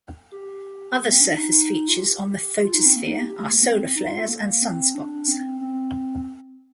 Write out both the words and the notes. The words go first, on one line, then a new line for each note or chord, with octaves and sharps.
Other "surface features" on the photosphere are solar flares and sunspots.
G4
A#3
C4
D4
D#4
F4
G4
F4
D#4
C4
A#3
D#4
G4
G4
A3
A#3
C4
D#4
F4
A4
A#3
C4
D4
C4
C4